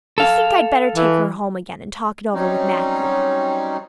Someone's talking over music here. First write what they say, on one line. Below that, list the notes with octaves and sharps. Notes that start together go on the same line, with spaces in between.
I think I'd better take her home again and talk it over with Matthew.
A4 F5
E3
F#3 G3 C4 C#4 D#4